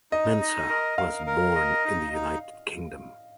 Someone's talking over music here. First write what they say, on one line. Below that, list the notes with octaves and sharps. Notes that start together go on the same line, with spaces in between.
Mensah was born in the United Kingdom.
D#4 D#5
D#5
A#4
A#4 F5
A#4
D#5
D#4
D#4